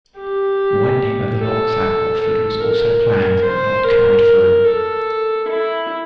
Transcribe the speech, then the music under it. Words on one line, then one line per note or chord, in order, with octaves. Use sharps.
Widening of the locks at Watford was also planned, but not carried through.
G4
A4
A4
A#4
C5
A#4
A4
E4